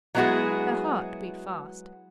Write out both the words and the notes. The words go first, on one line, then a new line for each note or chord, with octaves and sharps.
Her heart beat fast.
F#3 G#3 B3 E4 F#4 G#4